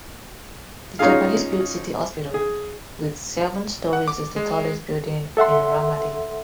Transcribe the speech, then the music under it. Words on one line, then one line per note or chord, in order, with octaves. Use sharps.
The Japanese-built city hospital, with seven storeys, is the tallest building in Ramadi.
C#4 D#4 F4 G#4 F5
G#4
F#5
D6
G#3
A4 E5 F#5 C6